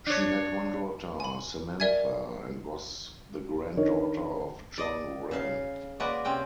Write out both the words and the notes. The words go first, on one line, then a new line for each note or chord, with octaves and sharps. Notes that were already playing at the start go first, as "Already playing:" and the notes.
She had one daughter, Samantha, and was the granddaughter of John Wren.
D4 C#5
G#5 B5
A#4 D5 E5 G#5 G#6
D#3 D4 A#4 C#5 D#5
D5 D#5
C#3 F5
G#3 A#3 F#4 B4 D5
C3 C4 C#4 G5